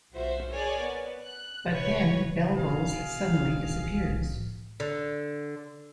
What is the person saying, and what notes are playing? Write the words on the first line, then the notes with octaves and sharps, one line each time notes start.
But then, Belboz suddenly disappears.
B1 F4 F#4 C5 E5
G#4 A#4 C#5 D5 G#5
B3
F#6
B4 C#5
B2 G#4 F5
D3